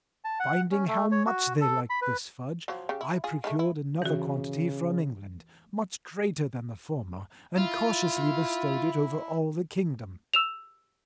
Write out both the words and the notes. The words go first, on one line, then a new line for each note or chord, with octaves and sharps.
Finding how much they liked this fudge, I procured another quantity from England, much greater than the former, and cautiously bestowed it over all the kingdom.
A5
F#5
C#4
A3
C#5
F#4
A4
B5
B4
F3 F#3
C#3 G4
E4
F4 G#4
D#3 G#3 A3
E4
C#3 E3 F#4
E4 F4
E6 E7 F7